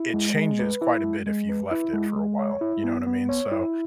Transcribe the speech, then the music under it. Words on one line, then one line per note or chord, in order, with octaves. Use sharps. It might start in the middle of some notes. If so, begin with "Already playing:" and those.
it changes quite a bit if you've left it for a while, you know what I mean, so
Already playing: E4
G#3
G#3
B4
E4
G#3
G#3
B4
E4
G#3
G#3
C#5
E4
B3
B3
C#5
E4